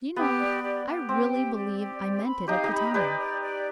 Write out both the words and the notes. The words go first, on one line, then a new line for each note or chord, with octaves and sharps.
Do you know, I really believe I meant it at the time!
B3 G4
D5
G4
G4
C4 G5
G4
D5
G4
D5
B5
D#4 G4 F5
D#4 G4
B5
G4 B4 D5
D5
D5